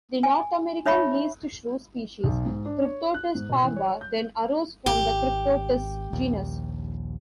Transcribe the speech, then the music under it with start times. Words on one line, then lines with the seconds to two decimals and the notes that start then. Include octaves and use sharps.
The North American least shrew species, "Cryptotis parva", then arose from the "Cryptotis" genus.
0.23 G#5
0.86 D#4 C#5 E5 B5 C#6
2.24 B1
2.46 G#2
2.65 D4
2.85 C#5
3.14 F#6
3.35 G#2
3.49 B2
3.62 E3
3.76 C#5
4.01 G6
4.86 G#1 G4
6.13 D#1 A#1 D#2